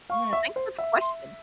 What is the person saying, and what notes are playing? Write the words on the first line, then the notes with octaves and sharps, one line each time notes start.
Yeah. Thanks for the question.
F5 C#6
E5
C5
E5
C6